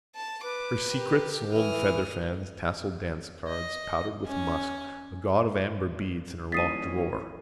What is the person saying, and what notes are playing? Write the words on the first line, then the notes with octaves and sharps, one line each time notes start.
Her secrets: old featherfans, tasselled dancecards, powdered with musk, a gaud of amber beads in her locked drawer.
A5
B4 D6
G4 A#4
E3 E4 D#6 F6
D#5
C#4 G#5
D#1 E3 C#4 D#6 A6 B6 C7 D#7